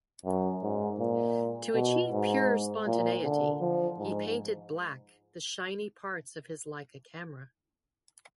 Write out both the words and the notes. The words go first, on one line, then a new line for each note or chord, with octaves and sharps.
To achieve pure spontaneity he painted black the shiny parts of his Leica camera.
F#2
G#2
A#2
B2
G#2
A#2
D3
F3
G#2